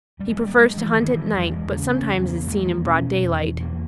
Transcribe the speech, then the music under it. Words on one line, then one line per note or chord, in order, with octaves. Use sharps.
He prefers to hunt at night, but sometimes is seen in broad daylight.
G2 G3
G#3
G3
A#3
G2 G#3
E3
G2 D#3
E3
G#3
E2 G3
G#3
C#3 A#3
C#4
E2 B3
A#3
E2 G#3
A#3
B2 C#4
E2
E2 A#3